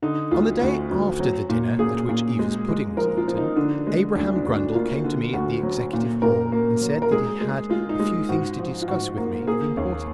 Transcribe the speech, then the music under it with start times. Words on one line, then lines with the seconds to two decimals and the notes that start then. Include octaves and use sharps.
On the day after the dinner at which Eva's pudding was eaten, Abraham Grundle came to me at the Executive Hall, and said that he had a few things to discuss with me of importance.
0.02 D3 D#4
0.31 D2 F4
0.61 D2 F#4
0.91 D2
1.20 F#3
1.49 A#2
1.79 A#2 G#4
2.09 A#2
2.39 G#3
2.68 G#3
2.97 F3 A#4
3.17 F4
3.28 F3
3.37 D#4
3.56 D3 D4
3.87 G#3
4.15 D2 D4
4.36 D4
4.45 D2
4.56 D4
4.75 A#3 F4
5.04 D3
5.33 D2 F#4
5.63 F#3
5.93 A#2
6.22 A#2 A#4
6.52 A#3
6.81 F#3
7.02 A#4
7.11 G#3 G#4
7.41 G#3
7.70 G#3 F4
7.89 D#4
7.99 G#3
8.29 G#2 F#4
8.59 F3
8.82 F4
8.88 G#2 F#4
9.17 A#3
9.47 A#3 G#4
9.77 D#2